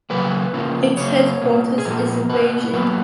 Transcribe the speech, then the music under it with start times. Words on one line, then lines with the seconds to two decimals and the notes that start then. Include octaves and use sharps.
Its headquarters is in Beijing.
0.10 C#3 F#3 A#3 B4
0.53 C#3 F3 A#3
0.97 C#3 F#3 A#3 C#5
1.42 B2 A#3
1.78 G#4
1.85 A#2 F3 G#3 A#4
2.29 B2 A#3 B4
2.73 B2 F#3 A#3 B4